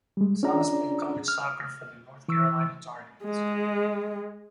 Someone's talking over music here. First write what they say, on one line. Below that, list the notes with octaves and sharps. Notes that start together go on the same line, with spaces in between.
Salas played college soccer for the North Carolina Tar Heels.
G3 G#3
C#4 D4 F4 G#4 D5 A#5
F6
E3 C#6 E6
G#3